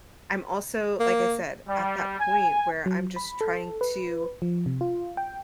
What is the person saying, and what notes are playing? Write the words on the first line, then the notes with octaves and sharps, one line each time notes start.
I'm also like I said, at that point where I'm just trying to
A#3
G3
G#5
F#3
B5
A4
B4
F3
C3
F4
G5